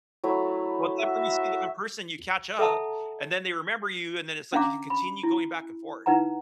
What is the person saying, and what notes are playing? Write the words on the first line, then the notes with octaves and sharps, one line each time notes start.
well, then when you see them in person, you catch up, and then they remember you, and then it's like you can continue going back and forth.
F#3 A3 E4
F#4 E5
A4 E5 F#5 A5 A#5
C#4 D4 E5 F5 A#5 D6
B5
E4
D#4 E4 B4 F#5 A#5